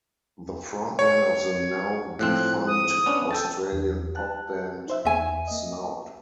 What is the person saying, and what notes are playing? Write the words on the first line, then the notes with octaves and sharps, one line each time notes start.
The frontman of the now-defunct Australian pop band Snout.
C#5
A2 F3 C4 F#6
D#6
B3 C#4 D4
A4 G5 A5
E2
A5 F#6
D#4 C5 E5
E2 E5 G#5
A#3 D#5